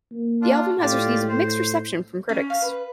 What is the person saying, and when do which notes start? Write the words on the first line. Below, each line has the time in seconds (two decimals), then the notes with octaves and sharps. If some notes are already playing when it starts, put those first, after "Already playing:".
The album has received a mixed reception from critics.
0.11 A#3
0.42 D4 F4
0.79 A2 F4 G4 D5
1.28 C5
2.29 C#4
2.50 F5
2.62 B4